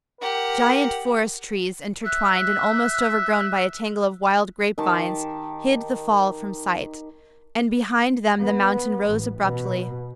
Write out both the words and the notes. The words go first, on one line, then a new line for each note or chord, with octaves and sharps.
Giant forest trees, intertwined and almost overgrown by a tangle of wild grapevines, hid the fall from sight, and behind them the mountain rose abruptly.
G4 A#4 F#5
E5 F#6
D#3 G4 A5
B3
A1
B2